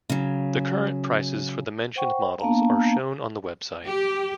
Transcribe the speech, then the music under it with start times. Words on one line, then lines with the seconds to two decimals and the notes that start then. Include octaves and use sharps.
The current prices for the mentioned models are shown on the website.
0.10 C#3 F#3
1.96 C5 F#5 G5 C#6
2.40 A#3 B3 D4 F5 A5 A#5
3.84 G4